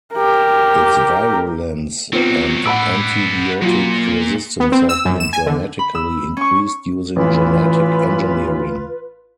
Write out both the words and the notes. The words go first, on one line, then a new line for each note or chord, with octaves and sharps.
Its virulence and antibiotic resistance have been dramatically increased using genetic engineering.
G4 A#4
F#3 G3 B3 C4 F4
A2 B4 D5 F#5 B5 E6
A#2 F#3 F4
B3
C4
E6
F#2
E7
G#5
D3
B5
E6
C#4 C#6
A1 E3 F4 B4